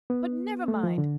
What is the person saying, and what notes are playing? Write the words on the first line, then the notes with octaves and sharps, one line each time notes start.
But never mind.
B3
A3
F3
D3